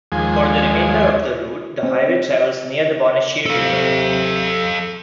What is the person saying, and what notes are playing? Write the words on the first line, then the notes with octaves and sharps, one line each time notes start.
For the remainder of the route, the highway travels near the Bonnechere River.
D#2 F3 G#3 G#5
C4
C3 A4 F5